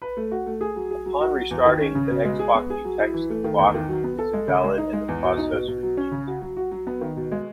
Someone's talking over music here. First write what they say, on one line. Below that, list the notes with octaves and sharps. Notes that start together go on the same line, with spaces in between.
Upon restarting, the Xbox detects the clock is invalid and the process repeats.
B4
A3
F#4
A3
G#4
F#3
G#4
F#3
F#4
F#3
E2
D#3
C#4
C#3
B2
G#3
G#4
B3
G#4
F#3
E4
E3
A3
D#3
E2
D#3
F#3
B3
A4
G#3
C#3
G#3
D#4
G#3
E2
B2
D#4
B2
B2
F#3
C#4
C#3
F#4
F#3
F#4
F#3
B3
D#3
B2
G#3